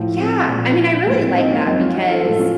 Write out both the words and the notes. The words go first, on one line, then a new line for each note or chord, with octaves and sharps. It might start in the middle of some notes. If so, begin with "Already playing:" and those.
Yeah. I mean, I really like that because,
Already playing: A2 F3
C4
A#2 F3
A2 F3 A#3
C4
C4 D#4
A#3 C#4
F#2 F3 C4 D#4
C#4 F4
D#4 F#4
F4 A4
A2 F3 F4 A4
C#4 F4